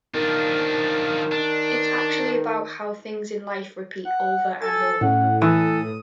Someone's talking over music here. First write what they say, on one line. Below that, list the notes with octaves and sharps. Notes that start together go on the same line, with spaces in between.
It's actually about how things in life repeat over and over.
D#3 F3 D4
D4
F#5
A4 G#5 A6
A2 C#4 F#5
E3 A4 D#6